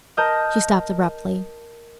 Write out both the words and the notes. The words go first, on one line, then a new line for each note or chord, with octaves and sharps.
She stopped abruptly.
A#4 D#5 A5 D#6 G6